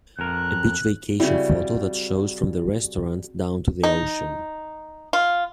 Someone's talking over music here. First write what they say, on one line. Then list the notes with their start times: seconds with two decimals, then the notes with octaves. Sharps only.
A beach vacation photo that shows from the restaurant down to the ocean.
0.19 F2 A#4 F#6
1.20 C#3 G3 C4 E4 F#4
3.84 D#4
5.13 F4